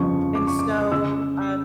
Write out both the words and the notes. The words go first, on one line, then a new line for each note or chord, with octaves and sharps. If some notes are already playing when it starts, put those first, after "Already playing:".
And so, um
Already playing: G1 F2 C#3 F3 C#6
D6
C#6
D6
C#3 E6